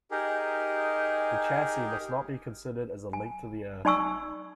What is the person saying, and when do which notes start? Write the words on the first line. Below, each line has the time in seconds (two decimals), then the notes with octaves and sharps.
The chassis must not be considered as a link to the Earth.
0.11 D#4 G4 G#4 A#4
3.13 G#5
3.85 D#4 D5 G#5 C#6 E6